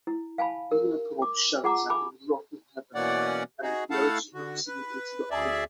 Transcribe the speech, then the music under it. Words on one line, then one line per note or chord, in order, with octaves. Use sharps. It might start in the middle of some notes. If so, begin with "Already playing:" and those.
Inner Port Shelter and Rocky Harbour are in close proximity to the island.
E4
F5 G#5 A5 B5
A#4
D6
F4 G#4 F#5 A5 A#5 D6
G#5 B5 D6
B2 E3 A#3 C#4 D5 F#5
D#4 F#4 G#4
A3 E4 A4 F5 F#5 A5
D3 F#4
B4
D2 G#4 D5 E5